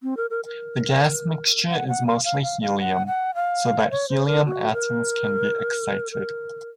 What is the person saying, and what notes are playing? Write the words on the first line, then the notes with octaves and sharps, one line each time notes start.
The gas mixture is mostly helium, so that helium atoms can be excited.
C4
A#4
A#4
A#4
F#5
F#5
F5
F5
F5
F5
F#5
F#5
F5
C#5
C5
A#4
F#4
A#4
A#4